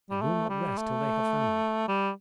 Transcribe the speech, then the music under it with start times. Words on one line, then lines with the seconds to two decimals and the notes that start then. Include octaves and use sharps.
They will not rest till they have found me.
0.10 G3
0.21 A3
0.49 G3
0.77 A3
1.88 G3